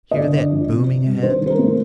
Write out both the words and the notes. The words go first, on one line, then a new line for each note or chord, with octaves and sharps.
Hear that booming ahead!
D#5
D3 D5
D3
F3
C3
C3
G3
D#3 C5
D#3
C5
A#4
A3